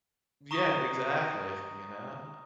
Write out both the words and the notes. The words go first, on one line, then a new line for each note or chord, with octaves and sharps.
Yeah, exactly, you know?
A#5 C#6 D#6 A#6